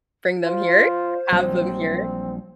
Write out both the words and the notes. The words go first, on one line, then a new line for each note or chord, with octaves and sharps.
bring them here have them here.
F4 C5
A#1 F#3 G3 C4